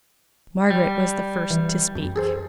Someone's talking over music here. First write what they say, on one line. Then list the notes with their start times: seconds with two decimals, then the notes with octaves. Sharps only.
Margaret was the first to speak.
0.70 G3
1.50 E3
1.95 F#2
2.16 G#4 A4 C5